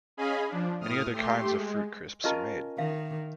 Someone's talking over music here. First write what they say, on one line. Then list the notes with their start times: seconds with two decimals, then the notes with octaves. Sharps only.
Many other kinds of fruit crisps are made.
0.17 C#4 G#4 D#5 F5 G#5 B5
0.49 F3 D4
0.81 A2 D#6 F6
1.12 A3 G4 C6
1.54 G#3
2.24 C#4 F4 A#4 D#5 A5
2.78 D#3 E5 F5